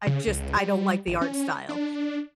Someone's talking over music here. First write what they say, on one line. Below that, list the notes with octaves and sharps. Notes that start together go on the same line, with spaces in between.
I just I don't like the art style
C#3
C#2
G3
G#1
C#4
D4